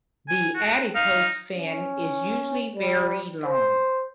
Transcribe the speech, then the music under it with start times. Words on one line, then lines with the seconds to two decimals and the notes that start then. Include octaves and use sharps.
The adipose fin is usually very long.
0.28 G#5
0.55 F#4
0.95 D#4 F5
1.57 C#4
2.74 G3
3.44 C5